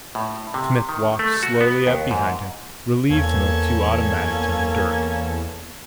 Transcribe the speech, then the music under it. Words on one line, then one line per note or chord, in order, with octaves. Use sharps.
Smith walked slowly up behind him, relieved him of two automatics and a dirk.
A2
C3
D#3
A3
F#4
B3
D#2
G#2
E2 A#3 C#4 A4 G#6